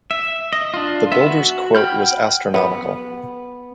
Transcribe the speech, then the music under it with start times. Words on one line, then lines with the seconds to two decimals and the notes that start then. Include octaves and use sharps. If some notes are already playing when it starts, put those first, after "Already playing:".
The builder's quote was astronomical.
0.11 E5
0.53 D#5
0.74 D4 F4
1.12 B3 E5
1.27 F#4
1.75 F#5 G5 B5 F6 G6
2.54 B3